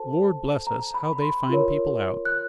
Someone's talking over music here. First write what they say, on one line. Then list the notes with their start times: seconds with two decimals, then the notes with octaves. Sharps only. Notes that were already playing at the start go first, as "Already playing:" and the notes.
Lord bless us, how they find people out!
Already playing: F#4 A4 C5 A5
0.67 A#5
0.94 B5
1.13 B5
1.22 C6
1.49 F4 A#4 C#5
2.25 F#6